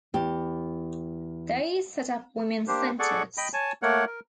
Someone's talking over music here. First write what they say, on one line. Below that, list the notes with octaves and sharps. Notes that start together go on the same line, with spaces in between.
They set up women's centres.
E2 G4
A#3 D4 G4 C5
G#4 A4 D5 F#5 C#6
D#5 G5 B5
C#5 G#5 A5
A3 A#3 A#4 C#5 F#5
A#4